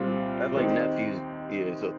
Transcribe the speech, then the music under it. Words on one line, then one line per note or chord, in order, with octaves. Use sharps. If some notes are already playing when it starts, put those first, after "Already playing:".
I have, like, nephews. Yeah, so
Already playing: C2 A#2 G3 C4 F4
D#2 D#3 C4 D#4